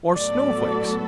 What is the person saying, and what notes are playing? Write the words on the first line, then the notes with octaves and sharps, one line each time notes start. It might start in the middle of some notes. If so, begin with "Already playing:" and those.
Or snowflakes.
A2 F#3 B3 F#4 A4 D5